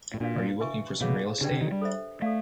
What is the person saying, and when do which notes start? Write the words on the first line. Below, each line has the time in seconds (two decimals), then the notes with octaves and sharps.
Are you looking for some real estate.
0.14 A2
0.20 A#2 D4 F#4 B4 D5 F5
0.60 B4 E5 G#5 C#6
1.01 B2 G#4 C#5 F5
1.41 C#3 D4 G4 B4 D5 G5
1.51 D3
1.61 D#3
1.71 G3
1.82 A4 C5 E5
2.22 A3 A4 D5 F5